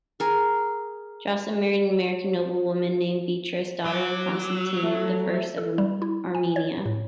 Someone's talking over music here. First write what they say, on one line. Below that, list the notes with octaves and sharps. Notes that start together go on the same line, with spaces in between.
Joscelin married an Armenian noblewoman named Beatrice, daughter of Constantine the First of Armenia.
G#4 A#4
F#3 D6
A3
A4
G3
E4
G#5
C#5
A2